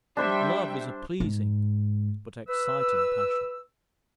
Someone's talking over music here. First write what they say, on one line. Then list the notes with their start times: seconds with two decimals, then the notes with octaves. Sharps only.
Love is a pleasing but exciting passion.
0.17 G3 D4 C5 E5 G5 C6
1.20 G#2
2.48 B4 E6